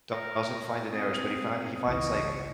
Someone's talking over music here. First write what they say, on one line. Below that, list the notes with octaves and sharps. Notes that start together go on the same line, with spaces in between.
d doesn't find Daenerys, but he find he finds, like,
A#4
C4 G#4
G#1 C#2 E3 D#5 C#6